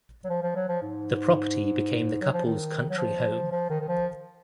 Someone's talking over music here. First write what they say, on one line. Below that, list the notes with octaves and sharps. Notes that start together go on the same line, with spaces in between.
The property became the couple's country home.
F#3
F3
F3
F#3
F3
G#2
F#3
F3
D#3
F#3
F3
F3
D#3
D#3
F3